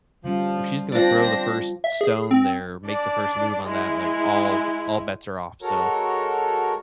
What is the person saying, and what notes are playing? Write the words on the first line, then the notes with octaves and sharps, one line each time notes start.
if she's gonna throw the first stone there, make the first move on that, like, all all bets are off, so,
D3 F3 G3 C#4
F3 C4 D4 D5 A#6
E5
G#4
C4
D4 D5
G#3 E4
G#3 F#4 A4 A#4 C#5 A#5